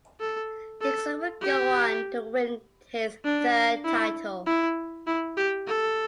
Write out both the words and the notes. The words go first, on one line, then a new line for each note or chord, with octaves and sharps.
Dixon would go on to win his third title.
A4
A4
G4
D4
E4
E4
E4
G4
A4